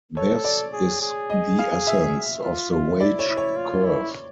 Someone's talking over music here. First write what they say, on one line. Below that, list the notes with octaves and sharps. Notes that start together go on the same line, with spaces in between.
This is the essence of the wage curve.
A4 C#5
D5
G#4
G#4
D#5
F5
E5
F4
F4
E4 D5
C#5
E4
C#5
F4
E4